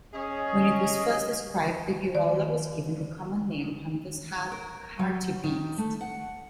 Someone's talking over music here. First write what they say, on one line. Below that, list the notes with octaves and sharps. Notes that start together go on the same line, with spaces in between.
When it was first described the hirola was given the common name Hunter's hartebeest.
C#4 G#4 D#5
D#3 D5
A#4
F#3
D#3
A3
F#5